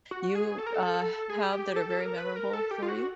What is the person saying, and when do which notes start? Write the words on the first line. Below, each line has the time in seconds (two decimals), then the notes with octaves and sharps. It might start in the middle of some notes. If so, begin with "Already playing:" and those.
you, uh, h have that are very memorable for you?
0.11 F#4
0.35 G#4
0.58 A4
0.66 A#4
0.74 A4
0.94 A4
1.30 G#4
1.53 G4
1.76 A4
1.90 A4
2.00 A#4
2.18 B4
2.36 A#4
2.53 A4
2.71 G4
2.82 F4
2.88 F#4